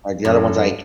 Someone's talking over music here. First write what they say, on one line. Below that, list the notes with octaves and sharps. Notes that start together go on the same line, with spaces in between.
Like, the other one's, like,
F#2 A4